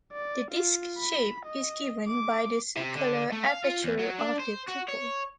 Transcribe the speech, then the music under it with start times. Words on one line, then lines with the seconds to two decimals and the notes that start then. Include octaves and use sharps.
The disk shape is given by the circular aperture of the pupil.
0.12 D5
0.51 F4
0.98 B5
1.46 D#5
2.08 D6
2.77 C3
2.95 D3
3.32 A3
3.45 F5
3.64 F4
3.84 E2
3.99 F#3
4.19 D4
4.39 C5
4.68 F#4
4.88 C#5